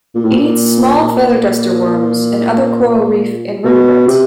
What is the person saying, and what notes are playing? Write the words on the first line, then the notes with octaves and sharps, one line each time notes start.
It eats small feather duster worms and other coral reef invertebrates.
A#2
A2
A#2
A#2
B2
C3